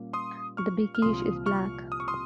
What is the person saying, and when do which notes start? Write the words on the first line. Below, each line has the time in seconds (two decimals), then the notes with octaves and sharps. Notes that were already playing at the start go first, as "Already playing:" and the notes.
The "Bekishe" is black.
Already playing: A#2 G3 A#3 C#4
0.13 C6 D#6
0.57 C#6 F6
0.95 F6
1.02 C2 A#2 F3 C6 D#6
1.46 C#6 F6
1.92 D#6
2.00 C#6
2.08 C6 D#6